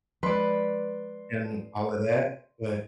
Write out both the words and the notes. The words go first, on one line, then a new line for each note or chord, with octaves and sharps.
and all of that, but
F3 G#3 B4 D5 C6